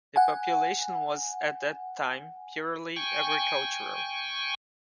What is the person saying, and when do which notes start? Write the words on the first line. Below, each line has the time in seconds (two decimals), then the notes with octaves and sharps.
The population was at that time purely agricultural.
0.16 F#5 G#5
2.96 G5 G#5 C#6